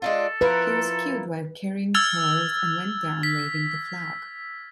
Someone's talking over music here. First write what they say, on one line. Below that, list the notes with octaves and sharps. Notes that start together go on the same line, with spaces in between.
He was killed while carrying the colors and went down waving the flag.
G#3 D4 F4 A4
F3 E4 A#4 B4
E6 F6 G#6 A6 F7
B6